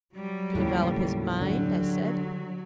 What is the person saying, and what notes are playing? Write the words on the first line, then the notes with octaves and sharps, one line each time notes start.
"To develop his mind," I said.
F#3 G3
D#2 A2 C#3
D3 F#3 G3